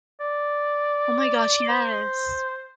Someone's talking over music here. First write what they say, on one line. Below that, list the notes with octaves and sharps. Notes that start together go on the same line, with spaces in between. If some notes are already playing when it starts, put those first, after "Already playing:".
Oh my gosh, yes.
D5
C5